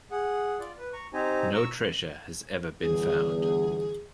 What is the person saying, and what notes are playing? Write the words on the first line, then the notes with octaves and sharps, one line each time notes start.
No treasure has ever been found.
G#4 F#5
F4 D5
B4
A#5 C#6
C4 D#4 G4 C5 G#5 A#5
A#5 C#6 E6
G1 E2 G#4